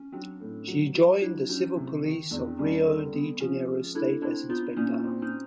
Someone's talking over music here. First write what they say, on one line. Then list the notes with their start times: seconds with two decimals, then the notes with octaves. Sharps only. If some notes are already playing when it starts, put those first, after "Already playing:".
She joined the Civil Police of Rio de Janeiro State as Inspector.
Already playing: C#4
0.12 F#3 C4 D4
0.40 A2
0.68 F#3
0.95 F#3
1.22 F#3 D4 E4
1.49 F#3 C#4 D#4
1.76 C3
2.04 D#3
2.31 E2 C4 D4
2.59 G3 C#4
2.86 D3 C4
3.13 B3
3.40 F3 C#4
3.68 G#3
3.94 A3 D4 E4
4.22 C4 D4 E4
4.50 B3 D#4 F4
4.76 A#2 C#4 D#4
5.04 C4
5.22 C#4 D#4